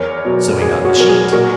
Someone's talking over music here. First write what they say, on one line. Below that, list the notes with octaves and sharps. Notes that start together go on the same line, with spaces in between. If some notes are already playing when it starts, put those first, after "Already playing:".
So he got the sheet.
Already playing: E2 A#4 C#5
B2 F#3
E2 G#4
F#4
B2 F#3 A#4
G#4
A#2 F#4 A#4